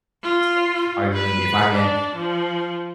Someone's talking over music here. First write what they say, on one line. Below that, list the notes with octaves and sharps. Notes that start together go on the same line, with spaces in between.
honestly, are you really gonna be a fireman?"
F4
B4
D4
F3